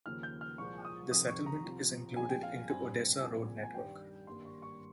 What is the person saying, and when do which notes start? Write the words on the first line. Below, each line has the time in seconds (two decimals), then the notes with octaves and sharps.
The settlement is included into Odessa road network.
0.06 D#2 C#3 F3 A#3 F6
0.23 G6
0.41 F6
0.58 C2 A#2 F3 G#3 C#6
0.85 D#6
1.11 F2 C3 D#3 D#6
1.28 C#6
1.46 A#5
1.64 C2 C3 F3
2.17 A#1 A#2 G#3 C4 G#5
2.29 G5
2.43 F5
2.56 F5
2.70 G2 G3 C4 G#5
3.22 C2 A#2 F3 G#3 C4
3.63 G#5
3.74 G2 D#3 G3 G5
4.27 G#1 G2 G3 A#3 C6
4.45 C#6
4.62 C#6